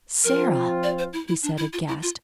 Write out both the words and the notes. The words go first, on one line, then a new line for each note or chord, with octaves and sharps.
"Sara!" he said, aghast.
F3 C4 F4 A#4
D5
C5
E4
E4
D4
E4
F4
E4
F4